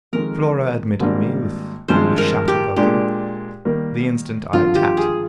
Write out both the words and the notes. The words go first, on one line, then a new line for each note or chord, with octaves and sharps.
Flora admitted me with a shout of welcome, the instant I tapped.
F2 D#3 G#3 D#4 A#4
G#1 G#2 G3 A#3 D4
G#1 G2 F3 G#3 C5
A#4
G4
A#2 G#3 D4 G4
D#3 G3 A#3
G#1 G2 D3 F3 F4
G4
G#4